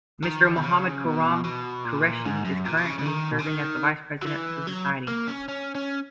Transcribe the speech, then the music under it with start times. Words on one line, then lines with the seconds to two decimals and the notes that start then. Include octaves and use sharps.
Mr Mohammad Khurram Qureshi is currently serving as the Vice President of the society.
0.24 D#3
0.57 B2
0.64 C#3
1.05 B2
1.44 B2
1.85 A#2
2.25 G#2
2.45 F#2
2.65 A#2
2.77 B2
2.86 C#3
2.99 C#3
3.06 D#3
3.31 B2
3.39 C#3
3.46 D#3
4.23 F#3
4.27 E3
4.67 F#3
5.08 A#3
5.28 C#4
5.49 C#4
5.75 C#4